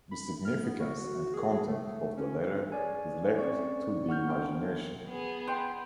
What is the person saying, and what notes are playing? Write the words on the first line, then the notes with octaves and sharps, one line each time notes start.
The significance and content of the letter is left to the imagination.
B5
F6
B3
F#4
G#4
G#4
A3
C#4
G#4 C#5 D5 G#5
C4 C#4 D5 C#6
F#5 C#6 F6 G6
A#3 B3 D4 G5
B3 G#4
F#5 G5 C6